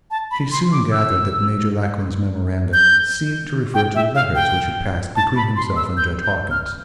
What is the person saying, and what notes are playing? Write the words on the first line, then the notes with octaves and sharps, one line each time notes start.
She soon gathered that Major Lackland's memoranda seemed to refer to letters which had passed between himself and Judge Hawkins.
A5
B5
C6
D6
E6
G6
G5
E5
F5
G5
A5
B5
C6
E6
G6
G6
F6